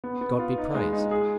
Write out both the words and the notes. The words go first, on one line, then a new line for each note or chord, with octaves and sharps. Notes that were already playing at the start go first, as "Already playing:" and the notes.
God be praised!
B3
B3
F4
D#4
G#3
D#4
G#4